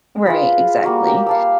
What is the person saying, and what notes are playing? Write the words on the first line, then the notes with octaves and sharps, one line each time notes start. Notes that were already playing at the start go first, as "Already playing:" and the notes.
Right, exactly.
F4 G#4 B4 D#5
G3 A#3 F#4
G4 A#4
F5 A5 E6